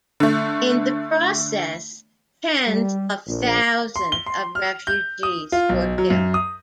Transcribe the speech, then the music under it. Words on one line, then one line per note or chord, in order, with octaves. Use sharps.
In the process, tens of thousands of refugees were killed.
D3 A3
G3
A#1
C6
G7
C6
F6
G6
D#6
F4
B1
F#3
F#2
D#6